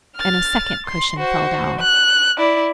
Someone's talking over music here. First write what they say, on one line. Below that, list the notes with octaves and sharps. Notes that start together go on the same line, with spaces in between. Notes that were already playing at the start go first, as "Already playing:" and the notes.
And a second cushion fell down.
F6 A6
C6
F#4 C5
F#6
E4 D5